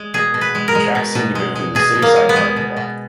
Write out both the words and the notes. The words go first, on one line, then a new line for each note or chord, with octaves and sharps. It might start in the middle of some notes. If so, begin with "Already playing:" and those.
The tracks seem to go through the City Side parking lot.
Already playing: G#3
B2 G#4
B2
B4
G#3
A#4
G#3
B2
B2
G#3
G#3
B2 G#4
B2
A#3
G#3
B3
G#3
B2
B2